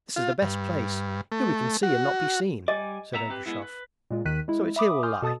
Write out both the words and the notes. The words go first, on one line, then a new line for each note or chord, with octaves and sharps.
'This is the best place; here we can see and not be seen,' said Ergushov, 'so it's here we'll lie.
F4
G2
A3
F#4
G3 D#5 G#5 D6
B3 E5 A#5
C4 G4 B4
G#3 B3 E4
B4
A#2 G#3 F4
D#2 D#3 F#6 B6 D#7
G#3 E4
E5 B5 D6 D#6
G#5 C6 D6 D#6 F6 G6
B2 A4 A5 D#6 A6